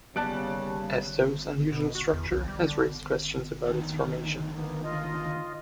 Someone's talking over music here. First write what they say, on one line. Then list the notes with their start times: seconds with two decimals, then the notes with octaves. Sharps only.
Astove's unusual structure has raised questions about its formation.
0.16 D#2 C#3 G3 B3 D5 A5 F#6 D7
1.72 B2
1.95 F#4
2.13 E2
2.32 C2
2.48 G3
2.67 D3
3.67 D2 D#3
4.56 A#3 B3
4.84 F4 D#5